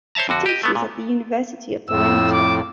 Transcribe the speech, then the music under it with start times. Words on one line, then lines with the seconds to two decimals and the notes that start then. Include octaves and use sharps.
She teaches at the University of Toronto.
0.15 C5 C#5 E5 A5 A#5
0.29 F2 D3 F#4
0.46 G4 D#5
0.63 A3 B3
0.75 A#2
1.89 F2 A2 E6
2.32 D6